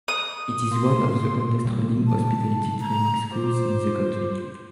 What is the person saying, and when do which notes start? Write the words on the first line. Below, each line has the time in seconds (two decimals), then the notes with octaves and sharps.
It is one of the oldest running hospitality training schools in the country.
0.08 D#6
0.72 A#3 C6
1.65 C#3 G3
2.07 A5
2.80 A#5
3.32 F4 C5 D6